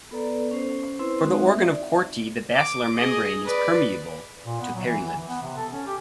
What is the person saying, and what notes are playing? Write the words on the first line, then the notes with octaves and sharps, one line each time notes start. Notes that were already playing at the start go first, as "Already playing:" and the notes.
For the organ of Corti the basilar membrane is permeable to perilymph.
B3 A4 B4 D5 A#5
C#4 C5
C4 E4 B4 C5
G#3 C4 D#4 F#4
E5
D5
D6
G#4 D#5
B4 D5
A#2
B3
F#3
E3
E3
E3
B3
C3
A4
C#4
G4